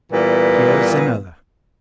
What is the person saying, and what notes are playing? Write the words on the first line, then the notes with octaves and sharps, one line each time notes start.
"Here's another."
A#2 E3 G3 B3